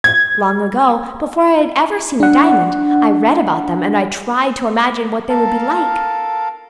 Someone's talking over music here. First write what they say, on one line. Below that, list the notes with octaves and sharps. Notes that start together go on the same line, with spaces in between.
Long ago, before I had ever seen a diamond, I read about them and I tried to imagine what they would be like.
G#6
D4 F#5
A4 A#4 F5 A5